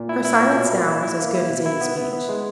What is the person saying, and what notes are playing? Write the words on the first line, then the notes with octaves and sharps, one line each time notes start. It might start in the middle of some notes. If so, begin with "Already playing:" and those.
Her silence now was as good as any speech.
Already playing: A#2
E4
E4
A#2
B2
A#3
E4
E4
A#3
E4
B2
E4
B3
B3
B3
G#3